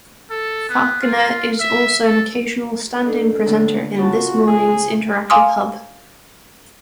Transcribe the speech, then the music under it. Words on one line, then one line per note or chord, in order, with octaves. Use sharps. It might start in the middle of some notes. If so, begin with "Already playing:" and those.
Falconer is also an occasional stand-in presenter in "This Morning's" interactive "hub".
A4
B3
F4
E5
A4
D4 D#4 A4
A2 D3 A#3
C#3 F4 F#4 A5
G#4
F5 G#5 C6 D6 D#6 F6